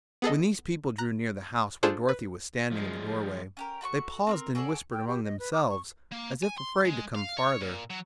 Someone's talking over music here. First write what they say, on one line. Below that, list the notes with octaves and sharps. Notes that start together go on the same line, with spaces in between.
When these people drew near the house where Dorothy was standing in the doorway, they paused and whispered among themselves, as if afraid to come farther.
B3 G#4 A4 D#5
A#5 F#6
D4 F4 G#4 A4 C5
B4
F3 G#3
C#4 G4 A#4
A3 F#4 B5 C#6
C4 F#4 A#4
F#4 G#4 A4 D5
G5
G4
D#5
B4
D6
C#6
A#3
G#5
C6
G#3
F5
C#5
A#2
F#3